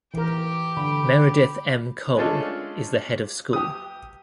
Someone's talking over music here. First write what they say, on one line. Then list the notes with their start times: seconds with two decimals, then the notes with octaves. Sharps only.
Meredyth M. Cole is the Head of School.
0.14 E3 G4 A#4 G5
0.77 D3 B5
2.17 G#3 A3 C#4 D4 F4 A4
3.53 G4 D#6